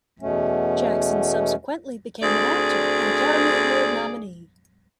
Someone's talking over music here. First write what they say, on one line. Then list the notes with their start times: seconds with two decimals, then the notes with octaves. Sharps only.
Jackson subsequently became an actor and Academy Award nominee.
0.21 E2 B2 A3 C#4
2.23 D2 C4 G#4 D5